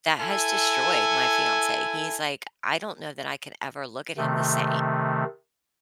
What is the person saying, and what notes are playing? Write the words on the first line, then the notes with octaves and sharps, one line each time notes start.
that has destroyed my fiance, he's, like, "I don't know that I could ever look at him the same."
E4 A4 G#5
C3 D#3 A3